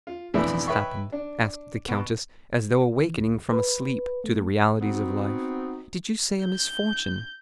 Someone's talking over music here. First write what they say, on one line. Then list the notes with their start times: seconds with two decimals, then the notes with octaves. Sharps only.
What has happened?" asked the countess, as though awakening from a sleep to the realities of life; "did you say a misfortune?
0.07 F4
0.34 B1 F2 A2 E3 D4 E4
0.67 B4 C#5 D#5 E5 G5 C#6
1.12 D4
1.88 B2
3.02 E3
3.17 C#2
3.52 B4
4.24 A3
4.80 B3 C4 D#4 F#4
6.45 G6